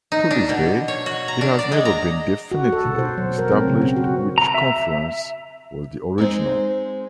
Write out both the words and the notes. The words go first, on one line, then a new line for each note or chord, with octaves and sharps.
To this day, it has never been definitively established which conference was the original.
D#4
D4
B2
C#5
F#4
A#5
D4
D5
G#3
A#5
F#4
A4
B2
C5
F#3
A#4
C4
C#3
C4
F#4
A#5
E5
G#3 C4 D#4 C5